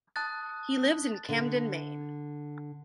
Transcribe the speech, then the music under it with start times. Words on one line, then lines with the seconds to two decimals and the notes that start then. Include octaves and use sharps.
He lives in Camden, Maine.
0.16 A5 D#6 F#6 A6
1.29 D3